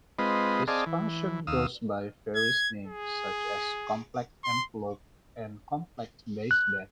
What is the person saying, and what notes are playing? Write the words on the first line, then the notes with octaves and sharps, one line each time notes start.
This function goes by various names, such as "complex envelope" and "complex baseband".
G#3 C4 F4 B4 D#5
C4 G#4 D5 D#5 F5 A5
E3
D#2 F5 D#6 E6
G#6
G#4
C6
F#6